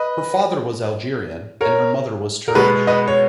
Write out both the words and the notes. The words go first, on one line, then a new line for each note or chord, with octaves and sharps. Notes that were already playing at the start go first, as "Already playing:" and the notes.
Her father was Algerian and her mother was Turkish.
Already playing: B4 D#5
A#4 C#5
A#4
B2 G#3 B3 B4
B4 D#5
C#5